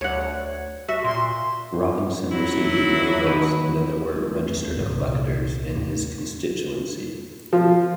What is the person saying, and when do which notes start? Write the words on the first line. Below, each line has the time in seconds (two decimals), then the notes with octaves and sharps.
Robinson receiving more votes than there were registered electors in his constituency.
0.01 D2 C#5 F#5
0.88 F#4 E5
1.04 A#2 C6
2.30 F#3 E4
3.24 D#2 D#4 B4
4.16 A3
4.57 E2
4.76 G#2 D3
4.90 C2 A#2
5.76 D#2 A2
7.53 F3